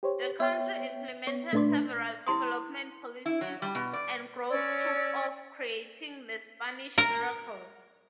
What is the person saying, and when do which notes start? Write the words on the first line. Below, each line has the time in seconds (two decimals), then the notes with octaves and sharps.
The country implemented several development policies and growth took off creating the "Spanish Miracle".
0.03 G4 C5 C#5
0.40 B3 C#5 E5 G5
1.27 B3 C#5
1.53 A#2 A3 D4 B4 D5 C6
2.27 E4 C6 D#6
3.26 E4
3.41 F#3
3.62 G3
3.75 B2
3.93 D5
4.50 C#4 C#5 D5 E6
6.98 A#4 A#5